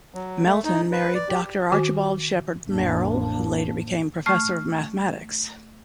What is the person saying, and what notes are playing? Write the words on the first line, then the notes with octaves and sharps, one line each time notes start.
Melton married Doctor Archibald Shepard Merrill who later became Professor of Mathematics.
F#3
A3
D#4
B4
D5
G4
D#3 F#4 G#5
A1 F2 A#3 D4
A3 C#6 F6